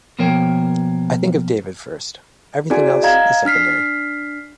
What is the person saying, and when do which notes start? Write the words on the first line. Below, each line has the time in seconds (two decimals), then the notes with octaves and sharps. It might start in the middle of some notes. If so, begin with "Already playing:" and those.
I have to think of David first, everything else is secondary.
0.19 B2 F3 A#3 A#4 C#5 G5
2.70 C4 E4 F#4 G#4 D5 G#5
3.03 D#5 F5 A#5 G#6
3.45 D4 F6 B6 C7